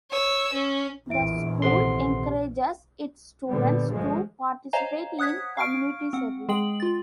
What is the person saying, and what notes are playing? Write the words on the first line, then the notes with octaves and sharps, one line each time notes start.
The school encourages its students to participate in community service.
C#5 E6
C#4
A#1 E2 E4 E5 D7
G#1 C3 A4 C5 F#5 C6
A#2 D3 G3 B3
G1 F3 G#3 A3
C5 C#5 D#5 F5 G#5 A#5
F#5 D#6 F#6 G#6 B6
F5 C#6 F6 D7
C4 F#5
G#3 G#4 G5 F#7
F4 A6